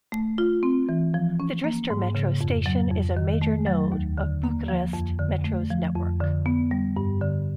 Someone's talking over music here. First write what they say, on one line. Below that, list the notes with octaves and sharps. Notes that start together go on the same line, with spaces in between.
The Dristor metro station is a major node of Bucharest Metro's network.
A3
F4
C4
E3
F3
C#4
A#3
G#2
C#3
F2
F#3
F2
D#3
A3
F#3
D#2
D3
A#3
F3
F2
D3
A3
F3
F2
D3
B3
G3
G2
D3